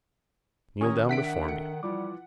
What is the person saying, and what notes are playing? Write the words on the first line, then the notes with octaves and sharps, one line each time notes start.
Kneel down before me.
D#3 C#4 G4 A#4 C#6 D#6 G#6
D4 E5 F#5 B6 D7
A4 C#7
E3 F3 G3 F4 D6